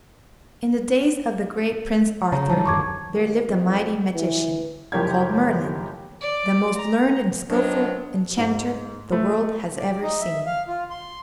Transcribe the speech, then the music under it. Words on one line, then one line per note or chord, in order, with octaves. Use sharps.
IN the days of the great Prince Arthur there lived a mighty magician, called Merlin, the most learned and skillful enchanter the world has ever seen.
C#3 C#5 A#5
E3 G3 A5
D1 F#2 D#3 C#6 D6 G#6
D#2
F2
E3
F#1 F3 G4 A#4 C#5 G#6
D5
A#5
D#3 F3 F#3 D4
G#2
A3
D5
D#4
E5
F5
F4
C6